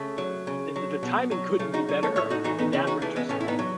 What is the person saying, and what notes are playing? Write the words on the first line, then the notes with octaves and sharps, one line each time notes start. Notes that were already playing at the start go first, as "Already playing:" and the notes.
the the the timing couldn't be better in that retrospect
Already playing: C#3 A3
F#3
C#3
F#3
B2
F#3
C#3 A3
D#4 F#4
F#3
A4 C#5
A2 C#5 E5
D#4 F#4
E3 D#4 F#4
B3 D#4
C#3 C#4 E4
D#4 F#4
E3 A3
G#3 B3
A2 A3 C#4
E4
B3 D#4
F#3